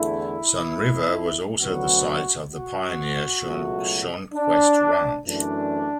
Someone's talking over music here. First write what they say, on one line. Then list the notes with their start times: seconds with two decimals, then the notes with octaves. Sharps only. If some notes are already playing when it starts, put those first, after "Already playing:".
Sunriver was also the site of the pioneer Shonquest Ranch.
Already playing: E2 D3 A3 E4
1.59 D2 D3 F#3 B3 F#4
2.50 F#4
3.42 C#2 B2 F#3 A3
4.34 D4
5.26 F#2 E3 A3 D4